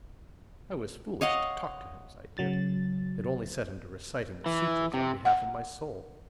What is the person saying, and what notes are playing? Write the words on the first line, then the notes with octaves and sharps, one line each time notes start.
I was foolish to talk to him as I did;--it only set him to reciting the sutras on behalf of my soul!
C#5 D#5 F5 F#5
C#3 F#3 A6
E3
C3
F#5